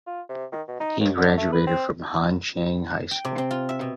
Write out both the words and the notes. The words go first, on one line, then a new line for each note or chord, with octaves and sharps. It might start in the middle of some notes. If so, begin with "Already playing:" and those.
He graduated from Han Chiang High School.
F4
C3
D#3
B2
D#4
D#2
D3
A3
B4
C4
G5
C3
C4
F4
E5
B2